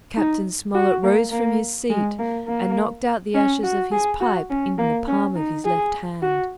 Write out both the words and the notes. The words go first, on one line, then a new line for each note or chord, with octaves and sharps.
Captain Smollett rose from his seat and knocked out the ashes of his pipe in the palm of his left hand.
D#4
F#4
A#3
A#3
G#3
A#3
A#3
C#4
F#4
G#4
F#4
C#4
A#3
C#4
D#4
G#4
F#4